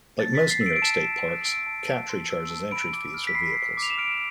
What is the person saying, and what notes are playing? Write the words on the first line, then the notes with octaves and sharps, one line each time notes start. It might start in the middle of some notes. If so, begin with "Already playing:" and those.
Like most New York State Parks, Captree charges entry fees for vehicles.
A5 A6
B6
C6
C7
E6
D7
D7
A5 E7
A5
C6
E6 D7
A5
A5
C6
E6
A5
B5 D7
D6
F6
B6
B5 C7
B5
D6
F7
E7
F6 D7